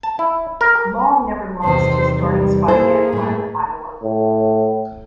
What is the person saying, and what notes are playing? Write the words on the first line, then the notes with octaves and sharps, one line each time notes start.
Long never lost his starting spot again while at Iowa.
A5
E4
A#4
E2 C3 D#3 C5
G3
A#3 E4 G#4 A4 C5
A2 A3
A2